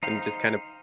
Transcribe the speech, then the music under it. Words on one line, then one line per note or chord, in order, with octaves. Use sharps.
And just kind of
D#4 C5 F5 G5